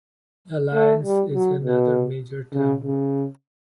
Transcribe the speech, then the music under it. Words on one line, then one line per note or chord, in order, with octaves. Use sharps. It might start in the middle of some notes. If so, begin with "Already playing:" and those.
Alliance is another major town.
A3
G3
F#3
B2
C#3
C#3